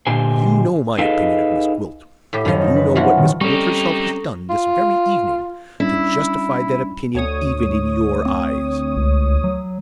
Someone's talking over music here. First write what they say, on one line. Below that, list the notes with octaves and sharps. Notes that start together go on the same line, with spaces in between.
You know my opinion of Miss Gwilt; and you know what Miss Gwilt herself has done this very evening to justify that opinion even in your eyes.
A#2 D3 G4 C5 G#5
D#4 G#4 A4 B4 D#5 F5
A2 G4
F#2 D#3 F3
D4 D#4
B4
E3 F3 C#4 D4 F4 F#4
A#2 D#3 G3
G3 C4 C#4 D#4 G4 A4 C#6
F4
G3 C#4 D4 E4
D2 C#5 D#6
C4
C#2
F#3